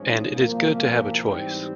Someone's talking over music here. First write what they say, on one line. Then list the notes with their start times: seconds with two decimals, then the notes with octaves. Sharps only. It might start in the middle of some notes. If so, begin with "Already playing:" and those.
And it is good to have a choice.
Already playing: G#1 G#2 F3 G#3 C#4
0.33 C2 A#2 F3 A#3
1.25 G#2 E3 G3 C4 G4